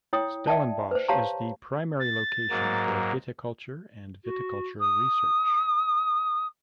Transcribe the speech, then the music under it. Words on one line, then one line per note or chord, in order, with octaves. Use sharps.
Stellenbosch is the primary location for viticulture and viticulture research.
E4 C#5 G5 D#6
D5 E5 G5 A5
B4 C5
G4 C#5 F5 A5 A#5 C6
A6
G#2 F#3 A#3
F#4
D#6